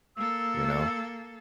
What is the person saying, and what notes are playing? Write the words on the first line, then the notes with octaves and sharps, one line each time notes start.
you know,
A#3 A4 E6